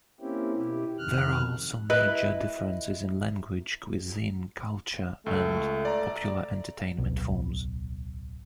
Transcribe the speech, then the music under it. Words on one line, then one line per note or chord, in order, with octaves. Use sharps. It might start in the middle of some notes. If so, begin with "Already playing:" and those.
There are also major differences in language, cuisine, culture, and popular entertainment forms.
A#3 C4 C#4 E4 G4
B2 E4 G4
F2 C3 D#3 F6 F#6
E4 B4 D#5
C#2 A3
D5 A#5
D1 B1